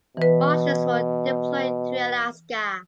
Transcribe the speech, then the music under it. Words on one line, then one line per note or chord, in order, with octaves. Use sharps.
Marshals were deployed to Alaska.
B2 E3 B4